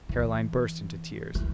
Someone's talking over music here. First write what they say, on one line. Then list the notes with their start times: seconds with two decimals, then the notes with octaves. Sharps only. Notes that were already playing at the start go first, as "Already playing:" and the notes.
Caroline burst into tears.
0.09 E3
1.35 E3